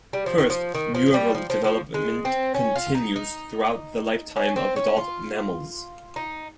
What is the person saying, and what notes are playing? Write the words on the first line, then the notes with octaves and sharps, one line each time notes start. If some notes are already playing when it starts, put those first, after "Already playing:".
First, neural development continues throughout the lifetime of adult mammals.
G3
F3
D#3
F3
D#3
F3
G3
F3
F3
F3
G#3
C4
C#4
F4
D#4
D#4
C#4
C4
C#4
F4
D#4